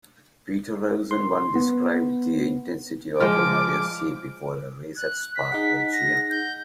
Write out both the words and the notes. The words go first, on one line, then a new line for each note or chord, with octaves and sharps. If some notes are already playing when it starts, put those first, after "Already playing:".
Peter Revson once described the intensity of Mairesse before a race at Spa, Belgium.
C6
B3
F3 G#3 G5 D6 F6
F#6
B6
D#4 G#4 F#5
A#6
G6